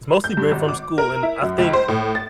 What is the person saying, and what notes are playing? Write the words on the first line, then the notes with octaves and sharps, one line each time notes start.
it's mostly been from school, and I think
G6
G2
G#1
D6
A#4
E4
F#2
C#2
C5
A2
A6